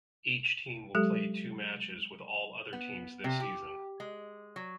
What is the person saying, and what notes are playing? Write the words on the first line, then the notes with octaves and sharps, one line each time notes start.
Each team will play two matches with all other teams this season.
F#3 G#3 G4 A4
B3
C3
G4
G#3
F#3